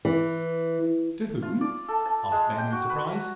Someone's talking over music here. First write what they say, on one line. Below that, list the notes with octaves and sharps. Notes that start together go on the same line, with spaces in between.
"To whom?" asked Ben, in surprise.
E3
F4
D5
A4
A5
G#3
G5
F#4
B4
A#5